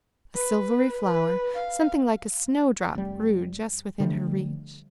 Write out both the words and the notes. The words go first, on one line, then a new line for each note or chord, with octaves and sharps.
A silvery flower, something like a snow-drop, grew just within her reach.
B4
B4
F5
F1 G3
D3 F3 G3 A3